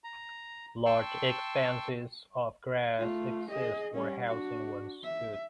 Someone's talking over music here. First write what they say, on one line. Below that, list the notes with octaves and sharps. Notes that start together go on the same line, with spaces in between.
Large expanses of grass exist where housing once stood.
A#5
G5 A5 C6 C#6 E6
A3 F4
G#4 D#5
G3 C#4
D4 F#4
E5